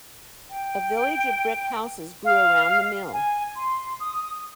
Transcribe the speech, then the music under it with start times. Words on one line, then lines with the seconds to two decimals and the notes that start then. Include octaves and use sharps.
A village of brick houses grew around the mill.
0.50 G5
2.25 F5
3.13 G#5
3.56 C6
4.00 D#6